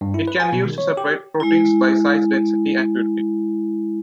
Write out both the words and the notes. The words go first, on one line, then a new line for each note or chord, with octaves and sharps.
It can be used to separate proteins by size, density and purity.
G2
E4
B4
G#5
B2
D#3
C#5
G4
G#3 E4